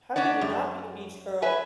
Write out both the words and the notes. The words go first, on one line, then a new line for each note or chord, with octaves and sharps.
How could you not be a beach girl?
C#4 D4 D5 F#5
F#2
B4 E5 G#5